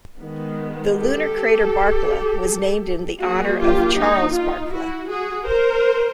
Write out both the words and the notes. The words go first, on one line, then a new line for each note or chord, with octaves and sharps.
The lunar crater Barkla was named in the honour of Charles Barkla.
D#3 G#3 B3
G4 A4
F#3 A#3 D4 F#4 G#4
F4 G4
D#4
D#4 F4
E4 F#4
F#4 G#4
A#4 C5